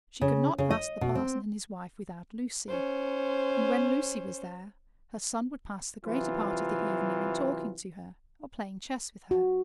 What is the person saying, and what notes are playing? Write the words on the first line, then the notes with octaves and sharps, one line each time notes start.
She could not ask the parson and his wife without Lucy; and when Lucy was there, her son would pass the greater part of the evening in talking to her, or playing chess with her.
C#3
C#3
D#5
B2
C4
C#4 C5
C3 E3 F#3 F4
F#4